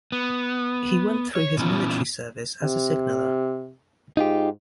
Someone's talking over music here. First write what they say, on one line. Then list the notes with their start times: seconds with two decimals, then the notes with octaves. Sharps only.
He went through his military service as a signaller.
0.12 B3
1.35 C#5
1.57 A#2 E3 B3 C#4 F4
2.63 C3
4.17 G#2 D#4 F4 G4